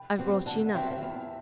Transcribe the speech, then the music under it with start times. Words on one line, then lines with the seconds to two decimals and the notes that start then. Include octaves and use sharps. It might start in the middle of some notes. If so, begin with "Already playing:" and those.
'I've brought you nothing.
Already playing: G5 B5
0.18 F#3 C4 G4
0.46 D3 F#5 A5
0.74 F#3 C4 G4 E5 G5
1.02 E2